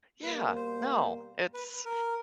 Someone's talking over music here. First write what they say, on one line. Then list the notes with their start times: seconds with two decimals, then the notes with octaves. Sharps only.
Yeah. No, it's
0.23 B2 G3 A#3 B4
0.55 C5
1.54 B4
1.85 A#4